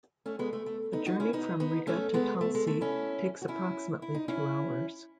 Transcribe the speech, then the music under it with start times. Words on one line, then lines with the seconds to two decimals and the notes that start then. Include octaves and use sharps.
A journey from Riga to Talsi takes approximately two hours.
0.26 A3 C#4
0.39 G#3 B3
0.53 A3
0.66 A3
0.93 B3 D#4
1.06 D#4 F#4
1.20 C#4 E4
1.33 B3 D#4
1.60 B3 D#4
1.87 A3 C#4
2.14 G#3 B3
2.41 A3
2.55 G#3
2.67 A3
2.81 C#4 E4
3.42 F#4
3.48 C#4 E4
4.02 E4
4.15 D#4
4.28 C#4 E4